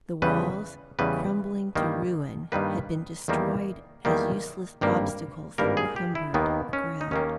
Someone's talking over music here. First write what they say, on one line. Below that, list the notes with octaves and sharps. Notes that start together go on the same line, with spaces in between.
The walls, crumbling to ruin, had been destroyed as useless obstacles that cumbered the ground.
E2 C#3 G3 B4
E2 C#3 G3 B4
G2 D#3 G3 A#3
G2 D#3 G3 A#3 B4
E2 D#3 G3 A#3
E2 D#3 G3 A#3
G#1 G2 G3 A#3
G#1 G2 G3 A#3 A#4
G#4
G4
E4
D#2 D#3 A#3 B3
C#4
D#4
D#2 D#3 A#3 C#4